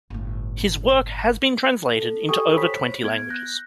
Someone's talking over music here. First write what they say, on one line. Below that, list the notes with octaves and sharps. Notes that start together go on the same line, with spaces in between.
His work has been translated into over twenty languages.
G1 A2
A4
G4 A4 G5 G#5 C#6 D#6
C5 C#5 B5 B6
B3 G#6 D7
F#6 G6 A#6